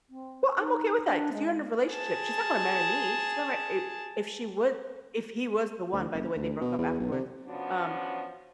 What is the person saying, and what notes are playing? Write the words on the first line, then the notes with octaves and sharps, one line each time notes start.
Well, I'm okay with that, ‘cause you're in a relationship. She's not gonna marry me. She's gonna marry i if she would, if he was the one- by the way, they broke up afterwards, um
C4
D#4
D4
G#3
G#4 A5
D2
F#1
D2
B2
E2
B1
C3
F3 B3 C#4 D4 F#4